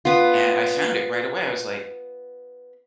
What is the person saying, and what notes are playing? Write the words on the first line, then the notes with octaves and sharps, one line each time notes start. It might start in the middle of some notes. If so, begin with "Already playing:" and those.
and I found it right away. I was like,
B3 F4